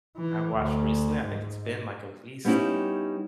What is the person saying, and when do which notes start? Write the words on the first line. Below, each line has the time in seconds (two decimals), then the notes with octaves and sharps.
I've watched recently, I think it's been, like, at least
0.17 E3
0.55 D2
1.22 G#2
2.45 G3 B3 C#4 D#4 E4 G4